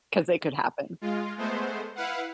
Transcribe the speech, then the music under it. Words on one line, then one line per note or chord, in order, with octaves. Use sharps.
'Cause it could happen.
G#3 F4
G#3 A3 B3 C5
E4 B4 F5 F#5